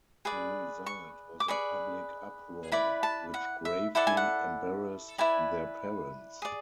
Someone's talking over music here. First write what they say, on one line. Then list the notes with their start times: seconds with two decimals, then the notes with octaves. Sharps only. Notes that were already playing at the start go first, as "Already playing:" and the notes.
The result was a public uproar which gravely embarrassed their parents.
0.25 G#4 B4 D5
0.86 C#6
1.40 D6
1.48 G#4 B4 D5 C#6
2.72 E4 B4 D5 B5
3.03 A5
3.34 F#5
3.65 E5
3.95 E4 A4 D5 F#5
4.07 G#5
4.17 F#5
5.18 E4 B4 D5 G#5
6.42 G#4 D5